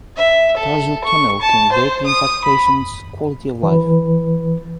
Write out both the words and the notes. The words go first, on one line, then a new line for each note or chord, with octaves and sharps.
Tarsal tunnel can greatly impact patients' quality of life.
E5
A4
C#6
A5
C5
D#6
B5
E3 B4